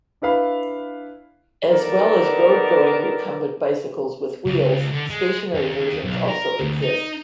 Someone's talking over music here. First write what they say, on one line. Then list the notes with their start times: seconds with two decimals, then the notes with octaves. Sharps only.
As well as road-going recumbent bicycles with wheels, stationary versions also exist.
0.22 D4 E4 B4 F5 B5
1.71 D#3 B3 G4 A4 A#4 D5
4.46 C#2
4.92 D3
5.10 G#3
5.54 D#2
6.04 B1
6.28 A#4
6.60 D2
6.82 D#4